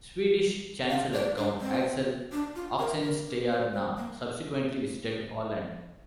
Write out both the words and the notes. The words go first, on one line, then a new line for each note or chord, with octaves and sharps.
Swedish chancellor Count Axel Oxenstierna subsequently visited Holland.
F5
D5
D4
C4
D4
F4
A#4
A#4
A#4
C5
C5
A#3